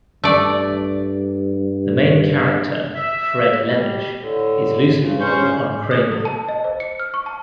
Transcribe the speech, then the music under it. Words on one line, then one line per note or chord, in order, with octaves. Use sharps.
The main character, Fred Lemish, is loosely modeled on Kramer.
G2 A3 D5
E5
G3
A2 D3
C#3 F3
C#3 C#4 C5 C#6 G6
D#6
A4
A5
D#5
C5
C#7
F6
C#6
A5